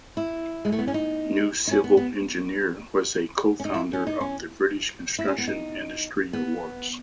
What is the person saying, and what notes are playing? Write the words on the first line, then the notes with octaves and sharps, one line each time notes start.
"New Civil Engineer" was a co-founder of the British Construction Industry Awards.
E4
G#3
A3
B3
C#4
D#4
D#4
C#4
B3
B3
C#4
D#4
E4
C#4
D#4
C#4
E4
C#4
B3
D#4
B3